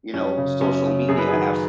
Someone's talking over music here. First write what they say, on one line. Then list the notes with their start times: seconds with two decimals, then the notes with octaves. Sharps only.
you know, social media have s
0.13 F#2 C#4
0.37 C#3
0.61 F#2 C#4
0.85 C#3
1.09 F#2 G#4
1.18 B4
1.29 D#3 G#4